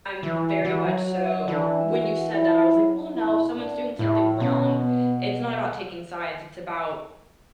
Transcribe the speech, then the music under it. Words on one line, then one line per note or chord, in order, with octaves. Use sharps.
I'm very much so when you said that, I was like, "Well, no, someone's doing something wrong. It's not about taking sides, it's about
E3 E4
E3 F#4
F#3
F#4
E3 D4
F#4
E4
F#3
E3 E4
G#2
B2
A2 D4
A2 E4
B2 C#4
B3